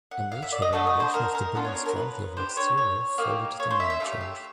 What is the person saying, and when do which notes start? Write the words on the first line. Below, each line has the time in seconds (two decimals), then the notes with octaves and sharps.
A major renovation of the building's ground-level exterior followed the name change.
0.11 F#5
0.32 F5
0.42 E5
0.52 D5
0.62 D#5
0.73 A3 D4 F#4 A4
0.87 D#5
1.00 C5
1.14 A#4
1.35 A#4
1.55 B3 D4 F4 A4
1.65 C#5
1.75 C#5
1.86 A#4
1.96 B4
2.37 D4 G4 C5
2.57 C#5
2.77 C#5
3.18 A#3 D#4 G4
3.60 C#5
3.71 C5
3.80 E5
3.90 E5
4.00 A3 D4 G4 F5
4.21 E5